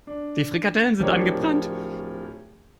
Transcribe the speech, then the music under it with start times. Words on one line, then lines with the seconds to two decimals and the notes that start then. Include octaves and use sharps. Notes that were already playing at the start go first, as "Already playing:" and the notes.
Die Frikadellen sind angebrannt.
0.07 D4
1.00 D1 F3 D4 G4 A#4 C#5